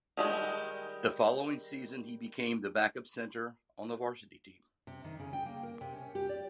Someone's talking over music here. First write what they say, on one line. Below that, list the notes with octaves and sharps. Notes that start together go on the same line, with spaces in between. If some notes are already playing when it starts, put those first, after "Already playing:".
The following season he became the backup center on the varsity team.
D#3 G3 G#3
C3
D#3
C#3
G5
A#3
A#4
C3
C#4
G4
D5